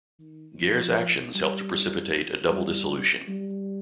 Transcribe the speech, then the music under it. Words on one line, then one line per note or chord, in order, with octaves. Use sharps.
Gair's actions helped to precipitate a double dissolution.
D#3
F3
G3
G3
G3